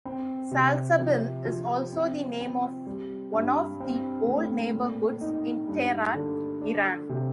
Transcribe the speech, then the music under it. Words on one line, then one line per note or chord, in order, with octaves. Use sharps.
Salsabil is also the name of one of the old neighborhoods in Tehran, Iran.
C4
C3
F3
F3
C4
C4
G3
G2
C4
A2
A#2
D#4
G2
D3
D4
C3